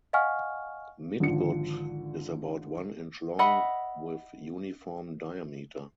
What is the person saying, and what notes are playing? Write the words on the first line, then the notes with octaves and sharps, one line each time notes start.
Midgut is about one inch long with uniform diameter.
D#5 F5 F#5 G#5 C#6 F6
G#1 D3 F3 C#7
D#5 E5 F#5 B5